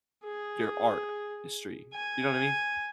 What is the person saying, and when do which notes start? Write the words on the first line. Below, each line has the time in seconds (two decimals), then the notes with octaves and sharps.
your art history, you know what I mean?
0.24 G#4
1.94 G#5